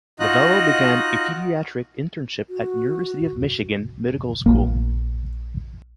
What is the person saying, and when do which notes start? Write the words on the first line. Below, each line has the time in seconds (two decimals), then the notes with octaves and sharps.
Novello began a pediatric internship at University of Michigan Medical School.
0.20 D#4 F4 F#4 D#5 F#6
2.50 F#4
4.46 A#1 A#3